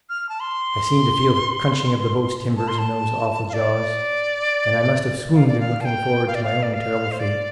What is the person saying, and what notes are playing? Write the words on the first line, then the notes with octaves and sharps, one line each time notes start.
I seemed to feel the crunching of the boat's timbers in those awful jaws, and I must have swooned in looking forward to my own terrible fate.
F6
A5
C6
A5
C6
A5
F5
D5
F5
D5
F5
A5
G5
F5
D5
F5
D5
F5
C5
D5